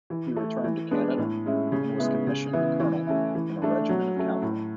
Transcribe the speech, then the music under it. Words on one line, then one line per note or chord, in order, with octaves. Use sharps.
He returned to Canada and was commissioned a colonel in a regiment of cavalry.
E3
A3 E4
E3
G#3 B3 D4
A2
G#3 C#4 E4
C#3
G#3 B3 E4
C#3
E3 B3 E4
E3
A3 C#4 E4
E3
A3 D4
F#3
A3 C#4
A2